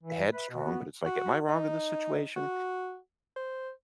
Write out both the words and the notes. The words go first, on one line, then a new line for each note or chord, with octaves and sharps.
headstrong, but it's like, am I wrong in this situation?
E3
B4 E5
B2 F#4
B3
F#4
D#4
F#4
C5